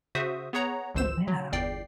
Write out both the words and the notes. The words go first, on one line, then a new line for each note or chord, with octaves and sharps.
Oh, yeah.
C#3 F#4 C5 E5 D#6
B3 G#4 C#5 F#5 A#5
G#1 C#2 C5 E6 E7
F#3
G1 E2 D5 G5 C7